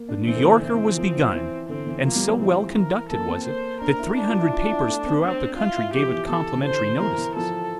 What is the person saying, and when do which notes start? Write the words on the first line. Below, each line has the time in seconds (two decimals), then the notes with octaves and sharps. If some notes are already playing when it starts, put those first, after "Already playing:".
The "New Yorker" was begun, and so well conducted was it that three hundred papers throughout the country gave it complimentary notices.
Already playing: A#3
0.09 D4
0.26 E3 C4
0.35 D3
0.45 E3
0.63 E3 C4
0.74 E3
0.86 F3
0.98 F3
1.16 E3
1.33 E3
1.69 D3 C4
1.87 E3
2.04 F3 A#3
2.16 G3
2.28 F3
2.40 E3 C4
2.75 E3 A#4
3.10 A#3 A4
3.28 C4
3.46 A#3 C5
3.81 D4 A#4
3.99 E4
4.17 D4
4.28 F4
4.40 E4
4.52 F4
4.71 E4
4.88 A3
5.06 C4
5.23 C4 D4
5.58 E4 F4
5.76 E4
5.94 F3 G4
6.12 E3
6.29 E3 A4
6.53 D3
6.65 C5
7.00 E3 A#4
7.18 E3
7.36 F3 A4